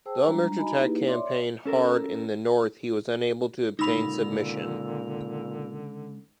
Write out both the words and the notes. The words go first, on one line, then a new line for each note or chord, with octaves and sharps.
Though Muirchertach campaign hard in the north he was unable to obtain submission.
G#4 C5 G5 A5 E6
G3 G#3 D4 A#5
D#4 F#4 D#5 G#5 A#5 B5
A#3 D#4 E4 G4 G#4 B4
C#5 D5 E5 C6 D6
C#4 A4 A#4
C#2 A#2 D3 D#4 B5 E6 F7